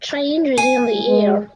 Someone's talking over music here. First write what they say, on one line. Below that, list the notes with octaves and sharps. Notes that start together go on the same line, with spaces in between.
Change is in the air.
G#5
G#3